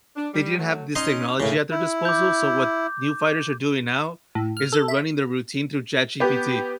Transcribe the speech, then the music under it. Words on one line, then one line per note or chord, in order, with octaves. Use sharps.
they didn't have this technology at their disposal, so what new fighters are doing now is they're running their routine through ChatGPT,
D4
G3
F#3 A3
C#4 D#4 D#5 C6
A2 C#3 A#3 E4
E4
D6 G6
A2
F6
A4
E5
B3 G4